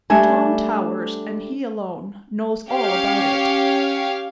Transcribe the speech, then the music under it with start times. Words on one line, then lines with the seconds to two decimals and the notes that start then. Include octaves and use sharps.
Tom Towers, and he alone, knows all about it.
0.10 G3 A3 D4 G#5 A5
2.70 C#4 G4 C#5 F5